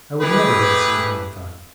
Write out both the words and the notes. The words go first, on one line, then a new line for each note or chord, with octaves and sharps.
I would never go to sea again, I thought.
E3 A3 G4 G#4 B4